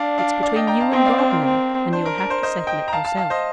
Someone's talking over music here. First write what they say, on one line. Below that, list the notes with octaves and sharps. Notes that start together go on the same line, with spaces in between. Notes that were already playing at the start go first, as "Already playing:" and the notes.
It's between you and God now, and you'll have to settle it yourself.
Already playing: D4 D5 F5
D5 F5
D5 F5
D#5 G5
G5 A#5
F5 A5
C4 D#5 G5
D5 F5
C5
A#4
C4
D4 C5
A#4
A#4
C5
C5 D#5
D#5 G5
A#5
F5 A5
F5 A5
F5 A5
C5 D#5